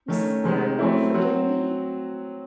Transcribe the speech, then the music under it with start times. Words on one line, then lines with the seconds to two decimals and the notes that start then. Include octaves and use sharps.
"Mrs. Barry won't forgive me?"
0.08 D#3 A3 C#4
0.44 C3 D#3 G#3
0.79 F#3 A3 C4 E4
1.14 F#3 C4 F#4